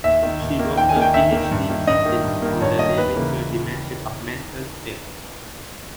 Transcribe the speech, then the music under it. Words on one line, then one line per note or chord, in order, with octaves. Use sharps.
She wrote her PhD thesis on The Lyrical Dimension of Mental Space.
D#2 E5
D#3 A#3
D#2
D#3 A#3
D#2 G5
G#5
D#3 A#3
G5
D#2 E5
D#3 A#3
G2
D#3 A#3
G2 D#5
D#3 A#3
G2
D#3 A#3
G2 C#5
D#3 A#3 D#5
D#2 B4
C#3 E3 A#3